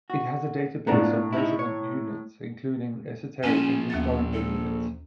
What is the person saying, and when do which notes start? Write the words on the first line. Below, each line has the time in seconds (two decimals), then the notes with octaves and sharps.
It has a database of measurement units, including esoteric and historical units.
0.10 F#4
0.87 A2 B3 D4 F4 A#5
1.33 D#4 E4
1.59 C#5
3.44 A#2 F3 C#4 G#5
3.90 D#2 B3 A6
4.34 A4